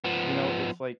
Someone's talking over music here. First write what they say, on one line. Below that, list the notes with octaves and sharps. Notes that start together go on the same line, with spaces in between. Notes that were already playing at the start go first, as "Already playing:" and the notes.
you know, it's, like,
F3 B3